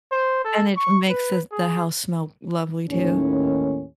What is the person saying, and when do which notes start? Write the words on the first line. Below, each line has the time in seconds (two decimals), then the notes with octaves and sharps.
And it makes the the house smell lovely, too.
0.12 C5
0.45 A4
0.77 C#6
1.10 B4
1.52 G#4
2.89 D#2 A2 C#4